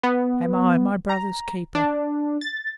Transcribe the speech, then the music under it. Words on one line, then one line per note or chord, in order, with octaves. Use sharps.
"Am I my brother's keeper?"
B3
A#5
D4
A6